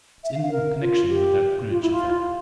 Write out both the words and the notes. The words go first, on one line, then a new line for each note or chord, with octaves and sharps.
"It's in connection with that Greenwich affair."
E5
F5
F5
A#4
F4
G4
F4
E4
F4